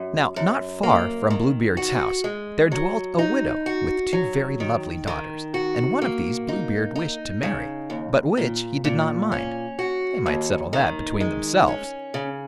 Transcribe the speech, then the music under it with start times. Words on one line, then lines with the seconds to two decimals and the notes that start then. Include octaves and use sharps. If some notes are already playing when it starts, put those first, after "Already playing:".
Now, not far from Bluebeard's house there dwelt a widow with two very lovely daughters, and one of these Bluebeard wished to marry, but which he did not mind, they might settle that between themselves.
Already playing: F#2
0.36 F#2
0.83 A#3
1.30 D#3
1.77 F#4
2.24 G#3
2.72 F#3
3.18 D#4
3.66 F#4
4.13 F#3
4.60 D#3
5.07 D#3
5.54 F#4
6.02 A#3
6.48 D#4
6.96 D#4
7.43 C#3
7.90 D#2
8.37 A#2
8.84 A#2
9.32 C#4
9.79 F#4
10.26 D#2
10.73 D#3
11.20 G#3
11.68 C#4
12.14 C#3